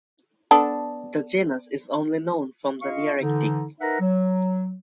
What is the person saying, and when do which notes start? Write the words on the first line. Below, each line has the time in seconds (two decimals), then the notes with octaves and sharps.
The genus is only known from the Nearctic.
0.51 B3 D4 A4
2.82 F4 D#5 F5 C#6
3.21 D3 E3 D#4
3.80 D#4 A#4 B4 E5 F#5 A#5
4.00 F#3